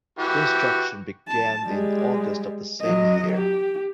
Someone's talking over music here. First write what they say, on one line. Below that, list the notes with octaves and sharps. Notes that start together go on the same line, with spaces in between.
Construction began in August of the same year.
E3 F#4 G4
A5
G3 G#3
F#3 D#5
G4